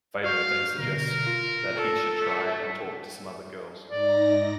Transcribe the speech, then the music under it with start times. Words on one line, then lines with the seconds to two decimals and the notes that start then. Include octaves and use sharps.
Valo then suggests that he should try and talk to some other girls.
0.24 F#4 F5 C#6 G6
0.78 B2 D3 A#4
1.27 F4
1.76 A4
2.21 A3
3.90 G#2 D#4 D5 A#6